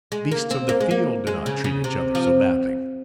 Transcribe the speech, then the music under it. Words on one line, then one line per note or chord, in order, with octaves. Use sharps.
The beasts of the field do not treat each other so badly.
G#3
A#3
C4
A#3
G#3
A#3
G#3
C#3
C#3
C3
F3